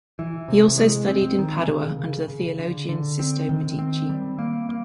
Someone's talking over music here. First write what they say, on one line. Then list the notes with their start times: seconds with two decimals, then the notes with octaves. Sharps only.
He also studied in Padua under the theologian Sisto Medici.
0.19 E3
0.48 C3
0.78 G#3
1.08 C4
1.39 D#3
1.68 C#3
1.99 C#3
2.28 C#3
2.59 D3
2.89 D3
3.19 C4
3.49 D#3
3.79 C4
4.09 G3
4.39 A#3
4.69 A#3